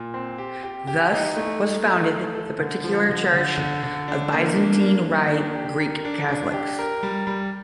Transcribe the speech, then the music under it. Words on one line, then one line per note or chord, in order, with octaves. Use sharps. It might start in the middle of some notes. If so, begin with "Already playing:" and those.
Thus was founded the particular Church of Byzantine Rite Greek Catholics.
Already playing: A#2
C4
G4
G4
G4
D#4
A3
D#4
A3
A3
A4
D3
F3
D3
D3
D3
D3
D4
A#3
D4
A#3
A#3
D4
G4
A#4
D4
D4
G4
A#4
G3
G3